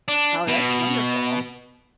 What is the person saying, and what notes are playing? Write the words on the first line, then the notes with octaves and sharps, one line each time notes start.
Oh, that's wonderful.
D4
B2